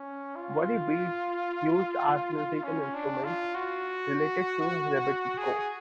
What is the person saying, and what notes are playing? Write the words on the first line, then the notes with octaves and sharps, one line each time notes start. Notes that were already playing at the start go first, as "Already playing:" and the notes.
Worry beads used as musical instrument, related to rebetiko.
Already playing: C#4
F4
C#4
D4
F4
F#4
G#4